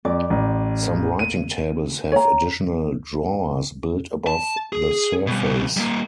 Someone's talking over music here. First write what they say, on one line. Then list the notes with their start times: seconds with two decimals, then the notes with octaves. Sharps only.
Some writing tables have additional drawers built above the surface.
0.05 F2 D5
0.30 A1
1.19 D#7
2.12 C#5 A#5
4.27 A5
4.73 G#4
5.27 B2 G3
5.77 G3 A#3